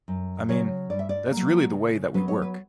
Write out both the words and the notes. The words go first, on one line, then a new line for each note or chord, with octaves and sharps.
I mean, that's really the way that we work.
F#2
C#3 F#3 C#5
G2 D5
E5
D5
F#3 A#3
C#3
F#3 B3 B4
C#5
B4